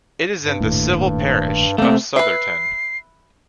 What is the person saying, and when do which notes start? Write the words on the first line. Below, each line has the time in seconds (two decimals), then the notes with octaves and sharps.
It is in the civil parish of Sotherton.
0.42 G2
0.60 D#1 D#2 A2
1.78 C3 A3 A#3 C4
2.16 B4 E5 C7